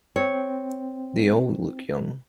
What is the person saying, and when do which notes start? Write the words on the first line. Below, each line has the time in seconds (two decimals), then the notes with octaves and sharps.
They all look young.
0.16 C4 C#5